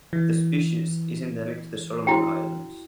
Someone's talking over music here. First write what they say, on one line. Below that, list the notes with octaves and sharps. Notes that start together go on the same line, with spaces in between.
The species is endemic to the Solomon Islands.
E3
E4 F#4 G5